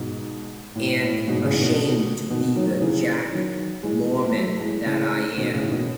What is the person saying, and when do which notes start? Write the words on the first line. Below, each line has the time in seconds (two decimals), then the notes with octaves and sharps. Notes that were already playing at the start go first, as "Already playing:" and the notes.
And ashamed to be the Jack Mormon that I am.
Already playing: G#2 B2
0.75 A2
1.02 A2
1.27 G#2 B2
1.45 A2 C#3
1.61 B2 D#3
2.30 B2 D#3
2.55 D#3 F#3
2.74 F#3
2.81 C#3 E3
3.32 D#3 F#3
3.83 E3 G#3
4.23 B3
4.35 F#3 A3
4.60 E3 G#3
4.86 C#3 E3
5.37 B2 D#3
5.54 A2 C#3
5.71 B2 D#3